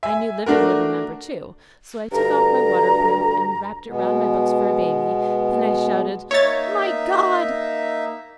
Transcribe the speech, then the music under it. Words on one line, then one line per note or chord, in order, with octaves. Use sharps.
I knew Living would remember, too, so I took off my waterproof and wrapped it round my books for a baby; then I shouted, 'MY GOD!
E5 G#5
A3 D4 F#4 A#4
D2 G2 A#5
B2 G#3 B3
A#3 D#4 C#5 E5 A6